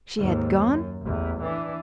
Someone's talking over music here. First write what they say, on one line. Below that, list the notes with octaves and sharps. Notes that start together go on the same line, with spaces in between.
"She had gone?"
D#2 G#2
F#2
A1 E2
E3 D4